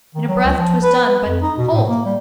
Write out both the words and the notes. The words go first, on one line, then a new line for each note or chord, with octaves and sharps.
In a breath 'twas done but--hold!
D#3
F#3
C#2
F3
B4
B4
F2
D#4
B2
A2
A#3
G3